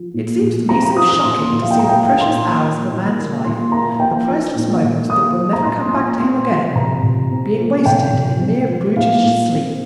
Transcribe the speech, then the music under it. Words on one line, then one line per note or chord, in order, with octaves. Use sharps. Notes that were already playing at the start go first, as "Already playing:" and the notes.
It seems to me so shocking to see the precious hours of a man's life--the priceless moments that will never come back to him again--being wasted in mere brutish sleep.
Already playing: F3
A#2
A#2
C4 A#5
A#5
F3 D#6
D#6
A#2 C6
A#2
F5
G5
A#2 A#5
G5
F5
A#3 G5
C6
A#2
A#3
A#2
A#3
A#2 C6
A#3 A#5
A#3 G5
F3
A#2
A#2
A#3 D#6
F3
A#5
A#2 C6
A#2
C4 C6
F3
C3 A#5
C3
C4
F3
C3 G5
C3
C4
F3
A#2 F5
A#2
C4